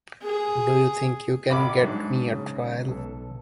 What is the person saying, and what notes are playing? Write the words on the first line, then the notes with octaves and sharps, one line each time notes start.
Do you think you can get me a trial?
G#4
A1 E5 B5 D6
G#2 F#3 D4
C#3
B1 A4